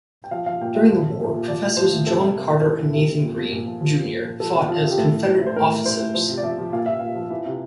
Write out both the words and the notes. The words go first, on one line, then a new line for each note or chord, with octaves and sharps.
During the war, professors John Carter and Nathan Green, Junior fought as Confederate officers.
G5
F3 F5
F3 F5
A#2 G5
F3 E5
F3
F3
F3
A#2
F3 D5
A2
F3 C5
A2
C3 A4
C3
C3
E3
E3
E3
C3
C3
A#2
F3
A#2
F3
F3
F3
A#2
F3
F3 A4
C3
F3 F4
C3
G4
A2 A4
E3
E3
A2
C5
A2 A#4
A2
E3 C5
A2
F3 C5
C3
D5
F3 E5
F3
A#2 F5
A#2 E5
A#2 F5
F3
E3
C3